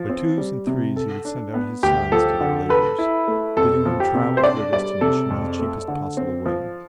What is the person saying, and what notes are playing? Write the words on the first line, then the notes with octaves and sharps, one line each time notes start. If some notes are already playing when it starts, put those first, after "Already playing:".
By twos and threes he would send out his sons to their labors, bidding them travel to their destination in the cheapest possible way.
Already playing: F3
C4
G3
C3
A4
D4
B3
D2 G4
F3 A4
D3
A4 B4
E4
A3
F2 A4
F3
G4
C3
C5
D4 D5
G3 D5
C3 A4
F2
A3
D3
C4
F3